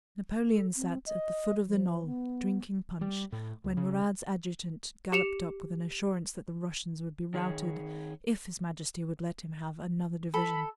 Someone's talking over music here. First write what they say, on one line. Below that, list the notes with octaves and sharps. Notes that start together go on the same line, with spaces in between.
Napoleon sat at the foot of the knoll, drinking punch, when Murat's adjutant galloped up with an assurance that the Russians would be routed if His Majesty would let him have another division.
A4
C4
D#5
F3
B3
G3
A2
C#2
C#3
G4 C#7 E7 F7
D#3 G#4 C#5
A4 B5